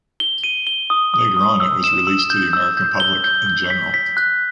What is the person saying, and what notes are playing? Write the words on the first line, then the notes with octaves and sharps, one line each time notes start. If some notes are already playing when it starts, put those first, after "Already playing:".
Later on it was released to the American public in general.
G7
D#7
G7
D#6
D#6
D#6
E6
E7
E6
G6
E6
G6
G7
G6
G6
B6
B6
F#6